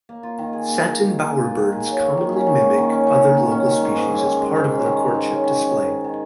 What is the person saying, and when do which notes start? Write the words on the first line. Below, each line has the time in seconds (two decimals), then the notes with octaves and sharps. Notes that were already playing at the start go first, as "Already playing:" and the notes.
Satin bowerbirds commonly mimic other local species as part of their courtship display.
0.09 A#3
0.23 F4
0.38 D#3
0.53 G#4
0.68 A#3
0.83 F4
0.99 D#3
1.13 G#4
1.27 A#3
1.43 F4
1.58 D#3
1.72 G#4
1.87 F#3
2.02 A#3
2.17 D#3
2.33 C#4
2.47 F#3
2.61 A#3
2.77 D#3
2.92 C#4
3.07 F#3
3.21 A#3
3.37 D#3
3.51 C#4
3.66 D#3
3.82 G#3
3.96 G#2
4.11 C#4
4.25 D#3
4.41 G#3
4.56 G#2
4.71 C#4
4.86 D#3
5.00 G#3
5.15 G#2
5.30 C#4
5.45 D#3
5.60 F#3
5.75 G#2
5.90 G#2
6.04 D#3